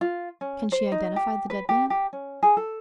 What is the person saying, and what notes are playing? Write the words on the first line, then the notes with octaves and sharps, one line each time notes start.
"Can she identify the dead man?"
F4
C#4
C5
D#4
G4
B4
G4
G4
C#4
G#4
A4